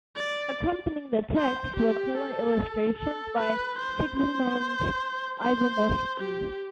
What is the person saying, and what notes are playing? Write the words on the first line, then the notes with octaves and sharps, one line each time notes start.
Accompanying the text were color illustrations by Sigismond Ivanowski.
D5
C5
G4
A4
A4
B4
C5
C5
C5
G4